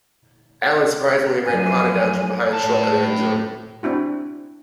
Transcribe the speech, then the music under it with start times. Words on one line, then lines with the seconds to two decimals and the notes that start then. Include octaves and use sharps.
Allen surprisingly ran Conner down from behind short of the end zone.
1.46 F#2 F3 G#5
2.54 A2 A5
3.83 C4 D4 E4 F#4